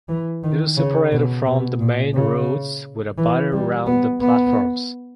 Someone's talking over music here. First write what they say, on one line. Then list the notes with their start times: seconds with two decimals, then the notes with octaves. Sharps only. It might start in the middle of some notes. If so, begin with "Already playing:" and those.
It is separated from the main roads with a barrier around the platforms.
0.08 E3
0.43 D#3
0.77 C#3
1.12 B2
1.46 B2
1.80 A#2
2.15 C#3
3.18 E3
3.52 G3
3.87 B3
4.21 B3